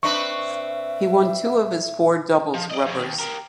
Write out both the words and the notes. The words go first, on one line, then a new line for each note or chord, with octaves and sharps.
He won two of his four doubles rubbers.
C4 D4 B4 E5 C#6
F3
D5 D#5
F2 B2
D#2
G4 A#4